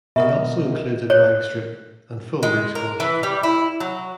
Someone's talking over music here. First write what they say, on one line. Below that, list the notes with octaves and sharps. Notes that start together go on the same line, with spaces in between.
It also includes a drag strip and full race course.
B2 A#4 D#5 E5
C#5 F#6
G#3
A#4
E3
G3
E4
F#3